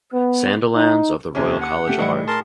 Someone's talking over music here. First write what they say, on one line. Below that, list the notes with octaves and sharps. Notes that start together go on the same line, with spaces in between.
Sandilands of the Royal College of Art.
B3
D#4
D#2 C3 C#4
F#5
A3 G4
A2 E3 G3 D#4 E4 C#7
G#4 A#4 A5 C6